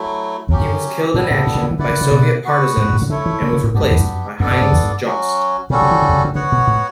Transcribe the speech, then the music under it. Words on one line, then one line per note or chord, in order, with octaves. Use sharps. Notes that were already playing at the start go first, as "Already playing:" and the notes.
He was killed in action by Soviet partisans and was replaced by Heinz Jost.
Already playing: F#3 A3 E4
E2 F#3 C#4 G4
F#2
A2 G3 B3 D4 A4
A2
A2
C#3
D3
E3
D3 E4 B4 D5 F#5
D3
C#3
B2
B3 F#4 B4 F#5
A2
G2
A2
C#3
D3 A3 E4 A4 C#5
E3
D3
C#3
A2
G2 B3 D4 G4
F#2
E2
F#2
F#2 B3 D4 A4 D5
B2
G2
E2
G2
F#3 C#4 F#4
B2 G3 C#4 F#4 A4
C#3
E3
D3
C#3
D3
D3 B3 F#4 C#5 F#5
B2
A2